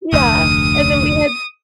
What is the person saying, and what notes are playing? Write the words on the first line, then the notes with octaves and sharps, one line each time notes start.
Yeah. And then we had
F1 D2 D#6